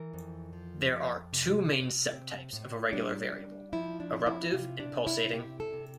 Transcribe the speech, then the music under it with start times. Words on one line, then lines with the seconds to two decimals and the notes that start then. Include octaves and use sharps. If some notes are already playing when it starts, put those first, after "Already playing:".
There are two main sub-types of irregular variable: eruptive and pulsating.
Already playing: E3 A#4
0.13 F2
0.53 F3
0.92 F2
1.33 C3
1.73 C3
2.13 C4
2.53 A2
2.93 G3 D4
3.33 G3
3.72 F3 E4
4.00 D4
4.13 C4
4.26 E4
4.53 C3 F4
4.80 D4
4.93 C3
5.07 E4
5.33 C4 G4
5.60 A4
5.73 C3